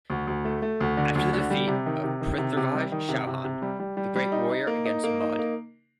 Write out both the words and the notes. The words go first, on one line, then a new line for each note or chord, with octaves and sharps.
After the defeat of PrithviRaj Chauhan, the great warrior against Mohd.
D2
D2
A3
A3
D2
D3
D2
D3
G3
C3
D#3
C3
D#3
C3
C3
G3
D#3
C3
C3
C3
G3
G3
G3
G3
D#4
D#4
A#3
D#4
A#3
D#4
A#3